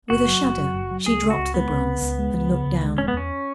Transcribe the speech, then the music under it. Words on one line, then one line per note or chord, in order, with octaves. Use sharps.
With a shudder she dropped the bronze, and looked down.
F#1 F#4
F#3
F#1
F#2
F#1
F#3
C#2 G#4
C#3
F#4
C#2
G#3 B3
C#2
C#3
C#2
G#3
C#2
C#3
C#2
G#3
E1 C#4
B3
E2 C#4